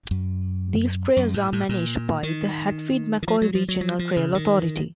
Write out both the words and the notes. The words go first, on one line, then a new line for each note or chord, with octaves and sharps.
These trails are managed by the Hatfield-McCoy Regional Trail Authority.
F#2
F#2
A2
A2
A#2
D#3
D#3
F3
F#3
F3
F#3
F#3
F3
C#3
D#3